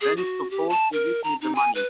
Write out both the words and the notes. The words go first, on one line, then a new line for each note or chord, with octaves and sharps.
Then suppose you give me the money.
G#4
F#4
G4
A5
A#4
A#5
D#4
G#5
B4